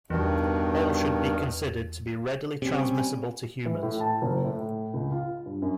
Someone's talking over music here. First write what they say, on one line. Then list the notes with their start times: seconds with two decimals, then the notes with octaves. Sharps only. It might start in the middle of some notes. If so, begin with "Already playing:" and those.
All should be considered to be readily transmissible to humans.
0.10 E2 G2 B2 D#3
2.62 C3 G3 C4 C#4
3.66 E3
3.83 A2
4.00 A5
4.22 F#1
4.45 A2
4.94 C#2
5.12 F4
5.46 G2
5.62 F#2